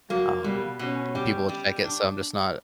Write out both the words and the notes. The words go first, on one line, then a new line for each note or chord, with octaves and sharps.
um, and people would check it, so I'm just not
F#3 A#3
B2 G3
B2 C#4
G3
G3
D4